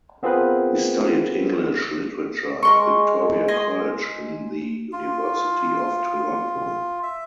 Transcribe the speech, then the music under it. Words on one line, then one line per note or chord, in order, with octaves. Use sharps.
He studied English literature at Victoria College in the University of Toronto.
B3 C4 F4 G#4 A#4 B4
G#3 A#4 C6 C#6
D#5 G#5 C6
F4
E5